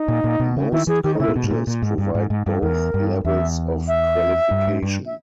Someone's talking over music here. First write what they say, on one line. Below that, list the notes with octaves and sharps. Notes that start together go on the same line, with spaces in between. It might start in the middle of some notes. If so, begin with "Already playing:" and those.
Most colleges provide both levels of qualification.
Already playing: D#4
A#2
A#2
B2
C#3
D#3 E4
E3 G#4
D#3 G4
D#4
C#3 E4
A#2
B2
G#2
A#2
A#2
G#2
G2
G#2
G#2
G2
E2 A#4
G2
E2 E5
E5
G2
G#2
G2
E5